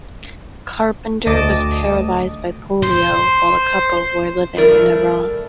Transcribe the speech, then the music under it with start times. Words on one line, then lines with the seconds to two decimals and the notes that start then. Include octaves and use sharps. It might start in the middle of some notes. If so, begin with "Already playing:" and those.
Carpenter was paralyzed by polio while the couple were living in Iran.
1.27 D2 D#5 A5 D6 D#7
2.83 C5
4.57 G3 A3 A#4 D5